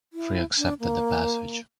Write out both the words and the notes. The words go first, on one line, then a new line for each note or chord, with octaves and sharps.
Three accepted the passage.
E4
D4
A#3